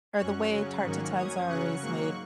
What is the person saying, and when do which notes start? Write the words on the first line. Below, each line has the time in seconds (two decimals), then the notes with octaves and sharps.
or the way tarte tatin's are always made
0.18 F#2 F#3 C#4 C#6 F#6
0.51 C#3 F#3 C#4
0.83 G#2 D#3 F#3 A#3 C#4
1.15 F#2 F#3 C#4 D#6 G#6
1.48 C#3 F#3 C#4 C#6 F#6
1.81 G#2 F#3 A#3 C#6 F#6